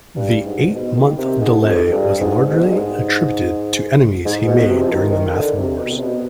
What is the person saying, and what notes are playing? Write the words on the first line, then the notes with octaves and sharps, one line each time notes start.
The eight-month delay was largely attributed to enemies he made during the Math Wars.
G2
G#2
B2
D#3
C3
G#2
F2
G2
G#2
B2
G#2
G2
G#2
G#2
B2
C3
F3
D#3
D#3
D3
C3
B2
C3
B2